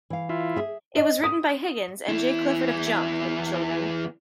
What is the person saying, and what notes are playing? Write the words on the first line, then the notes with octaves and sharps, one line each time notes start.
It was written by Higgins and Jay Clifford of Jump, Little Children.
E3 F5
E4 F4
G#4 E5
D#5
D#6
E2 E4